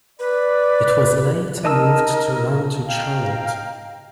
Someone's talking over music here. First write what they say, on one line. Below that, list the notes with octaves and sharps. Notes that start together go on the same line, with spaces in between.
It was later moved to run to Charlotte.
B4 D5
D#4 A#4 D#5 A5 E6
F5 G5 A#5